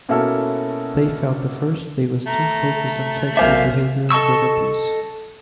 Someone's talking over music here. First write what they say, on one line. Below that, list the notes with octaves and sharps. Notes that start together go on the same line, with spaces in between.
They felt the first day was too focused on sexual behavior and drug abuse.
B2 A#3 C#4 E4 F#4 A4
A3 A#5
B1 A#4 C5 E5 F5 G#5 D6
A4 D#5 A5 C#6 E6